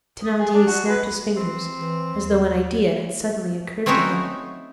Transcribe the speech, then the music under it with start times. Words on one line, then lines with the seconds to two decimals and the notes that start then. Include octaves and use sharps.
Thenardier snapped his fingers as though an idea had suddenly occurred to him.
0.23 D#6
0.39 G#4
0.54 D4
0.66 F#4
0.88 B4
1.36 E3 C4
1.79 E3
2.14 D#2
3.86 A3 C4 C#4 D#4 E4 F#4